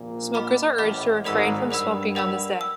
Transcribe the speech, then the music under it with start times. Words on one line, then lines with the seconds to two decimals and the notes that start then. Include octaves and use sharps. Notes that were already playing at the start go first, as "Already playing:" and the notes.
Smokers are urged to refrain from smoking on this day.
Already playing: A#1 A#2
0.34 D#5 F#5 B5 D6 F6
0.78 A1 A2 D#5 F#5 B5 D6 F6
1.24 G#1 G#2 A#4 D5 F#5 B5 E6
1.70 G2 A#4 D5 F#5 B5 E6
2.15 A#4 D5 F#5 B5 E6
2.61 E6